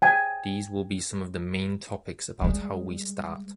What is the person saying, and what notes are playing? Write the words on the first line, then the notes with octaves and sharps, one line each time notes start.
These will be some of the main topics about how we start.
G5 G#5
G3 G#3